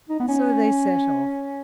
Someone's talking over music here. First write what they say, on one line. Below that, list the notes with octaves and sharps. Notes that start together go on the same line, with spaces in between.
So they set off.
D#4
B3
C#4